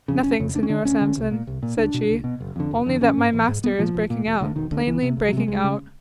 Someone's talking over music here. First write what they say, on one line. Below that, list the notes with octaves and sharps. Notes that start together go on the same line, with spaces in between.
"Nothing, Senor Samson," said she, "only that my master is breaking out, plainly breaking out."
F2 C#3
F#1 C#4
F2 C#3
D2 D4
C#4
D3 D4
D2 C#4
D3
C2
A#2
C2
A#2
C#2 D4
B2
C#2
B2
F#1
F2 D3
F#1
F2 D3
A1 C#4
G#2
A1
G#2
B1 B3
A#2 F3
B1
A#2
E1
D2 D3
E1 D#3
D2 D3
C#2 E3
C3
C#2
F#3
C3 G#3
C#2 G#3
C#3